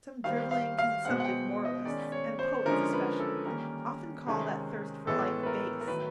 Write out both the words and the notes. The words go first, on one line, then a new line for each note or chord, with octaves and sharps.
Some driveling consumptive moralists--and poets especially--often call that thirst for life base.
D#3 G3 C4 F5
F5
F5
B2 G#3 C4 F#5
F#5
G5
D#5
D#3 G#3 C#4 D5
C#5
C5
D3 F3 G#3 C#4 A#4
B4
A4
D#3 G3 A#3 C#4 A#4
C3 D#3 G#3 C#4
A2 E3 G#3 B3 A4
B4
A#4
A#4
D#3 F#3 A3 B4